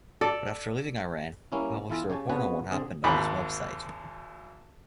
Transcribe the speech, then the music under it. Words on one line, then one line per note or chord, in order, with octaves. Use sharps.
But after leaving Iran, he published a report on what happened on his website.
A4 D5
G3 A#3 C#4 E4
E3 B3 F4 A4 G#5 A5
C#3 G4 C#5 G#5 A5
C#3 B3 C4 F#4 B4 C#5
D3 C4 G#4 D5
G#1 D#2 G#2 B5